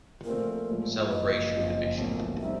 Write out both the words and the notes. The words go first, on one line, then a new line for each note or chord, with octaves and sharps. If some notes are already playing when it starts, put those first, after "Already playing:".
Celebration division.
A#2 F3 A3 C4 A#4
A#1 A2 F3 G#3
F#1 F#2 C#3 F3 D#5
F#1 F2 C#3 F3
B1 A2 F3 A#3 C#4
B2 G3 C4 D#4 E5